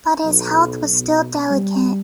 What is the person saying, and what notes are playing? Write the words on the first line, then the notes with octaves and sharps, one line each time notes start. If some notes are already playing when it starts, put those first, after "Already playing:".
But his health was still delicate.
B1
B2
G3